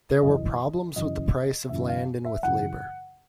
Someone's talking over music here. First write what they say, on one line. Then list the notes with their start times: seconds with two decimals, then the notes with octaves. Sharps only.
There were problems with the price of land and with labour.
0.23 F#2 C#3 E3 D#5
0.96 F#2 C#3 E3 D#5
1.69 F#2 C#3 E3 E5
1.88 F5
2.25 E5
2.43 F#2 C#3 E3 F#5